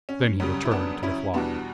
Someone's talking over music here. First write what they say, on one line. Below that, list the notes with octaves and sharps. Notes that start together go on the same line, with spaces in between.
Then he returned to the flier.
C#4
F#2 C#3 G3 C#4
E4
B3 D4
C#4 E4
E2 B2 G3 B3 D4